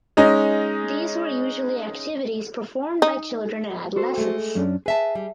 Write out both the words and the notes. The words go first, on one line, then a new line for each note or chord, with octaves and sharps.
These were usually activities performed by children and adolescents.
G#3 C#4 D#4
D#4
F#4 A4 C5
G#3 A3
F#2 C#4 D4
G#4 B4 E5 A5
G3